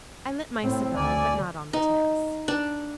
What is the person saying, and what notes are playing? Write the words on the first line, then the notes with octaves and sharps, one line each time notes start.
I lit my cigar, but not on the terrace.
A2 C4
D2 D5 G#5
D#4
D4